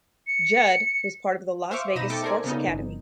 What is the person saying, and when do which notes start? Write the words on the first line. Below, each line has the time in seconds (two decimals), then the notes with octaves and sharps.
Judd was part of the Las Vegas Sports Academy.
0.27 C#7
1.71 C5 E5 F5 C#6 D6
1.95 B2 D#4 B5 A#6 D#7 E7
2.10 A3 E5 G5 D6 A6 C#7
2.23 A4 A#4 C5 D5 G#5
2.44 C#3 B3 D#4
2.68 G1